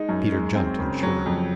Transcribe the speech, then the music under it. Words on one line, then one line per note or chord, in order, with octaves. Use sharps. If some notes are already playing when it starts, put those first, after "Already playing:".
Peter jumped and shivered.
Already playing: G#3 D#4
F#2
G#3
C4
C#3
F#3
F2